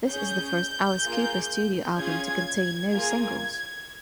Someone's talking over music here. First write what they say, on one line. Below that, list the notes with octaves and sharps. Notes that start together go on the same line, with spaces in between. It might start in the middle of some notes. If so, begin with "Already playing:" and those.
This is the first Alice Cooper studio album to contain no singles.
C#4 G#4 G6
A#3 F4 G#4
C#4 F4 G#4 G#6
A#3 F4 G#4 G#6